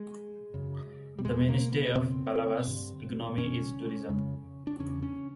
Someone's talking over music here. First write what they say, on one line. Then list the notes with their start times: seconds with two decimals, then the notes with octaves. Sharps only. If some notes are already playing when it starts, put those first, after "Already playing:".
The mainstay of Palavas' economy is tourism.
Already playing: G#3
0.54 F#2 C#3
1.19 G3
1.25 E2 C3 G#3
1.48 A#3
1.72 B3
1.95 F2 C#3 C4
2.67 G2 D3
3.37 F#2 D3 C#4
4.09 F2 C#3
4.67 D4
4.79 E2 C#3 C#4
5.02 C#4